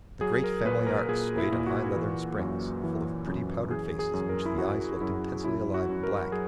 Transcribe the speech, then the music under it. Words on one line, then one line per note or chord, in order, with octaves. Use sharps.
The great family arks swayed on high leathern springs, full of pretty powdered faces in which the eyes looked intensely alive and black.
F#3 G#4
A#4
A#2 B4
A#4
A#2 G#4
E4
A#2
F#4
E3
F#2
E3
F#2
E3 G#4
G#4
F#2
A#4
E4
F#2 F#4
F#2 E4
F#2 E4
F#4
F#2
A#4
F#3 G#4